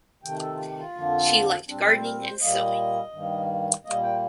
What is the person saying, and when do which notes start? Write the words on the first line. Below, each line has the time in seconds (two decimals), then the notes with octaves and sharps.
She liked gardening and sewing.
0.23 C3 D#3 A3 G5
0.41 A4
0.54 F4
0.59 G4
0.78 F4
0.96 F2 D3 F3 A#3
1.68 A#2 G3 C4 D4
1.86 C5
1.97 C5
2.04 A#4
2.22 C5
2.40 A#2 G3 A#3 D#5
3.13 G2 D#3 G3 A#3
3.85 A#2 G3 A#3 D#5
4.03 G5